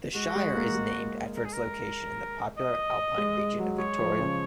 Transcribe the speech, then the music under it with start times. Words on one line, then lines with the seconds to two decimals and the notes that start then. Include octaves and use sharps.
The Shire is named after its location in the popular alpine region of Victoria.
0.15 G#3 F#4
0.35 G#3
0.55 A#3
0.75 G#3
1.36 A#4
1.45 G#4
1.53 A#4
2.57 D#5
3.17 G#3
3.38 G#3
3.59 F#3
3.78 G#3 C#5
3.99 F3
4.19 C#3